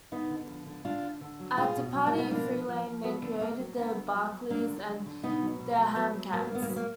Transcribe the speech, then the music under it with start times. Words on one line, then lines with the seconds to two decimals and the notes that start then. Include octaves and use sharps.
At Depatie-Freleng, they created "The Barkleys" and "The Houndcats".
0.12 D3 B3 D#4
0.30 D3
0.49 F3
0.66 D3
0.85 D3 D4 F4
1.03 D3
1.21 D3
1.40 F#3
1.58 B2 F4 G#4
1.76 B2
1.95 F#3
2.06 A#3
2.13 B2 B3
2.31 F3 A#3 D4
2.49 F3
2.68 F3
2.86 F3
3.04 F#3 B3
3.22 D3
3.40 D3 A#3
3.59 F#3
3.77 D3 B3
3.96 F#3
4.14 F#3
4.32 F#3
4.50 F#3 A#3 D4
4.69 D3
4.87 F#3
5.06 D3
5.23 B2 B3 D#4
5.42 F#3
5.60 B2
5.78 F#3
5.96 F#3 B3
6.15 F#3
6.33 F#3 A#3
6.40 B3
6.47 A#3
6.52 D3 B3
6.62 A#3
6.69 F#3 B3
6.76 A#3